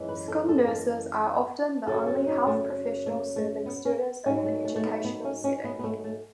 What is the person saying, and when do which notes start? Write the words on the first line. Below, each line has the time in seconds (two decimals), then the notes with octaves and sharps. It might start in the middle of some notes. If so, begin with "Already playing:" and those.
School nurses are often the only health professional serving students in an educational setting.
Already playing: F#2 E3 G#3
0.09 B4
0.28 A4
0.49 A4
0.68 A4
1.87 F#2 C#3 F#3 A4
2.06 A4
2.27 D#4
2.47 A3
3.06 A3
3.36 A3
3.66 B3
3.85 C#4
4.25 G#2 C#4
4.29 F#3
4.46 A3
4.65 A3
4.76 A3
4.85 B3
5.05 B3
5.24 C#4
5.44 C#4
5.64 B3
5.79 B3
5.84 A3
6.04 A3